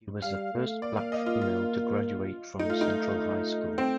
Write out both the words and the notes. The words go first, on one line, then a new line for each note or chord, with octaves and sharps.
She was the first black female to graduate from Central High School.
G3 F5
A3
A#3 D5
F5
D#5
F4
F4
A3 D#4
F4
D#4
C4